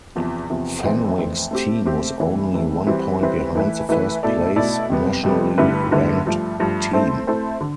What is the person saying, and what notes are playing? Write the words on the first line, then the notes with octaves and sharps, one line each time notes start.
Fenwick's team was only one point behind the first place nationally ranked team.
E2 C3 F3
E2 C3 F3
F2 E3 A3 C4
F2 E3 A3 C4
A3 C4 G4
A3 C4 G4
C3 E3 A3
C3 E3 A3
E3 G3 C4 E4 B4
E3 G3 C4 E4 B4
E3 A3 E4 B4
E3 A3 E4 B4
B2 A3 E4 A4 D5
B2 A3 E4 A4 D5
F2 C3 G3 B3
F2 C3 G3 B3
G2 D3 A3 E4 B4
G2 D3 A3 E4 B4
G2 F3 A3
G2 F3 A3
A3 C4 E4 A4 C5
A3 C4 E4 A4 C5
D3